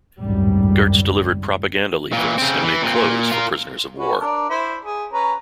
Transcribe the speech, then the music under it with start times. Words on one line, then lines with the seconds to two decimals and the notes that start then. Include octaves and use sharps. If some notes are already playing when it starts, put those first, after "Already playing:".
Gertz delivered propaganda leaflets and made clothes for prisoners of war.
0.19 G#1 C#2 F#2 A2 G3
2.12 A#2 E3
2.38 C#3 C4
2.63 E3
2.82 A#2 C4
2.95 A#2
3.32 F4 A#4
3.98 C#4 F#4 B4
4.20 D4 A#4 D5
4.50 E4 C5
4.85 G#4
5.13 C#4 B4 A#5